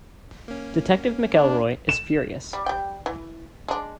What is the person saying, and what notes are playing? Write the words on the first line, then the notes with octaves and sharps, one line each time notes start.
Detective McElroy is furious.
A#3 C#4
D4
E7
G3
G3 G5
E3
G#3 D4